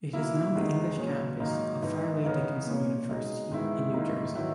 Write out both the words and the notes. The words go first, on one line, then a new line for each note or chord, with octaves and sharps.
It is now the English campus of Fairleigh Dickinson University in New Jersey.
B2 A#3 E4
E2 D#3 G#3 B3 D#4
A#2 F#3 C#4
G#2 D#3 F#3 A#3 D#4
G#2 E3 B3 D#4
C#3 E3 B3 D#4
A#2 A#3 C#4
B2 G#3 D#4
G#2 D#3 G#3 B3 E4
G#2 D#3 A#3 E4
D#3 F#3 B3 E4